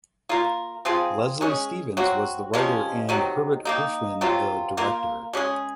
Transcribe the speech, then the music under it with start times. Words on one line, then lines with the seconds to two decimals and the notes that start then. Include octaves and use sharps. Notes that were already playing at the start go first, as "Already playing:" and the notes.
Leslie Stevens was the writer and Herbert Hirschman the director.
0.29 A#3 F4 A#4
0.85 F3 C4 F4 G#4
1.41 G#3 C#4 G#4
1.97 F#3 C4 F#4
2.54 C3 F3 G#3 C#4
3.09 C3 D#3 F#3
3.65 D#3 A#3 D#4
4.21 C3 F#3 C4 F4
4.77 A#3 F4 A#4
5.33 G#3 C#4 G#4